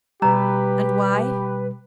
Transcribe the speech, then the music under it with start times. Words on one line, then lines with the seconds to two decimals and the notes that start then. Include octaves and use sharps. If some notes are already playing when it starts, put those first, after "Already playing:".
And why?
0.22 B2 G3 G4 B4 A#5